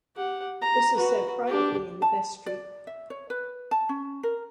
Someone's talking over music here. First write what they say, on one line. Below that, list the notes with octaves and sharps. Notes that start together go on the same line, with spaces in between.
This is said privately in the vestry.
G4 F#5
A#5
F#4 B4
D4 G4
A5
D5
E5
C#5
B4
A5
C#4
A#4